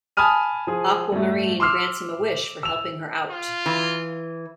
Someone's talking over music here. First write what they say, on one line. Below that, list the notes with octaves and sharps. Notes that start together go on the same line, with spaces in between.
Aquamarine grants him a wish for helping her out.
G#5 A5 B5 D#6 F6 D#7
F3 G#4
G2 A3
C6 D6 E6 F6 C7
E6 F7
F4
E3